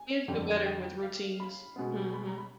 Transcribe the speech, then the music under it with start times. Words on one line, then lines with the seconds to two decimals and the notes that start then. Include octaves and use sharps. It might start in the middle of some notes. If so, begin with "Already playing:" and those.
Kids do better with routines. Mhm.
Already playing: G#5
0.28 F2 D3 G3 G5
0.65 G5
1.02 F5
1.40 B5
1.76 B2 G#3 B3
2.14 B5
2.26 A#5
2.38 B5